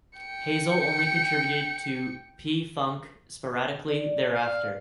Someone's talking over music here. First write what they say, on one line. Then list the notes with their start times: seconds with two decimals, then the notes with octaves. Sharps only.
Hazel only contributed to P-Funk sporadically thereafter.
0.19 G5 C#7
3.88 D5
4.34 F5